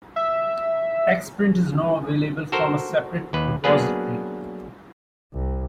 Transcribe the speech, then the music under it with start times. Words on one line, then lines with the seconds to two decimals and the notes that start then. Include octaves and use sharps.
Xprint is now available from a separate repository.
0.16 E5
2.52 F#4 A4 A#4 C5
3.33 D#2 B4
3.64 F#3 A#3 B3 D4 G#4 B4
5.33 C2